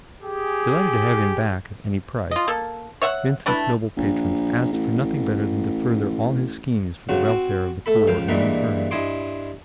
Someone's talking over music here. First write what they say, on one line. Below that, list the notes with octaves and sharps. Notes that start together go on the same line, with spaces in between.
Delighted to have him back at any price, Vincent's noble patrons asked for nothing better than to further all his schemes for the welfare of the poor and infirm.
G4 G#4
F4 D#5
A#3 A4
C#5 E5 F#5
A3 D4 E4 B4
A#1
A1
C#3 F#3 C4 F#4
C4 F#4
A3 A4 B5
C#2 F3 F5 G5
G2 A#2 E3 G3 G#3 A#3
G2 E4 D#5 G#5 C6 D6